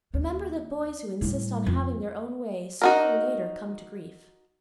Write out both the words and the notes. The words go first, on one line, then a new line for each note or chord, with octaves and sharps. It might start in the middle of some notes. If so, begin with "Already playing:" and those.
"Remember that boys who insist on having their own way, sooner or later come to grief."
D#2
A2 G3
F2
D#4 F#4 A#4